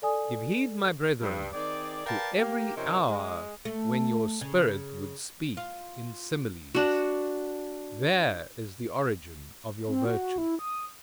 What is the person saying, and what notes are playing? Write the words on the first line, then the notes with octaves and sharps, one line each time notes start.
Give heed, my brethren, to every hour when your spirit would speak in similes: there is the origin of your virtue.
A4 D5 G#5 D#6
G2
D#3 C4 G#4 D5
A#4 B4 D5 F5 G5 A5
A#3 G4
C3 F3 C#4 D#4 A#4 C5
G#3
A3
C#3
F4
D4 F#4
C4
F#4
E4
D#6